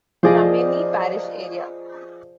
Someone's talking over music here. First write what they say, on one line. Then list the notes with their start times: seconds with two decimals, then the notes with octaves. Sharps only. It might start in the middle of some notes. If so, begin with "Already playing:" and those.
Tammany Parish area.
0.23 F3 G#4 C5 D5 D#5